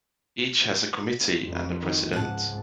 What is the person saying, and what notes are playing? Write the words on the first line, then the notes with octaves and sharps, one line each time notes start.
Each has a committee and a president.
F2
D#3
C#2 G#2 F#5 A5